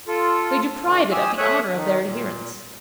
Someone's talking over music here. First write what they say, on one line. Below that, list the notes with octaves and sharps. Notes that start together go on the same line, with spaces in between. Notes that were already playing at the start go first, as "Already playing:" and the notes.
They deprive it of the honour of their adherence.
F4 A4
D3 E3
G4 G#5 D#6 E6
A3 C#5 E5 D#6 F#6
D#3
A#2